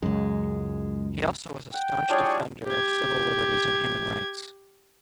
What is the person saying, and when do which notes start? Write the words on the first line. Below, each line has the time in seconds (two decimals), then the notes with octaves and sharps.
He also was a staunch defender of civil liberties and human rights.
0.03 C#2 F#2 G#3
1.74 F#5 G5
2.10 F3 G3 D4 E4 G#4 C#5
2.67 G4 G#6